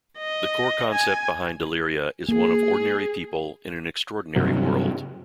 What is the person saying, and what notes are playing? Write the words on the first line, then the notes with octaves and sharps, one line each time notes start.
The core concept behind Deliria is one of ordinary people in an extraordinary world.
D#5
G#5
A#3 G#4
G2 C3 F#3